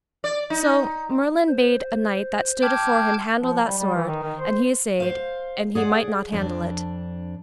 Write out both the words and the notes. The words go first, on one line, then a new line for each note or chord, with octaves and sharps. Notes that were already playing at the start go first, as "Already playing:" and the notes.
So Merlin bade a knight that stood afore him handle that sword, and he assayed, and he might not handle it.
D5
D#4
C5
G5 A5 D6 F6 G6 G#6
F3
G3
G3
E3
D#3
D#3
C5
C5 F5
G#4 D5 F#5
F2 D4